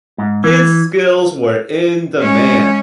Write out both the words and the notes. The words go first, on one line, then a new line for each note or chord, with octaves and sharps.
His skills were in demand.
G#2
E3
G#3 C#4